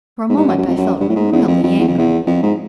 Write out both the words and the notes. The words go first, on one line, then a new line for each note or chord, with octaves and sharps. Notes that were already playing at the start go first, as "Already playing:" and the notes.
For a moment I felt really angry.
G#2
G2
F#2
F#2
F2
F#2
G2
A2
G#2
E2
F2
F2
E2
F2
E2
F2
G#2